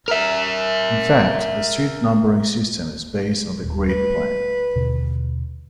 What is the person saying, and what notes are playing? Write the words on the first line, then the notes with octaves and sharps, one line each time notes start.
In fact, the street numbering system is based on the Grid plan.
A#4 E5
D#1
G3 A3 B4
D#2 B2 D3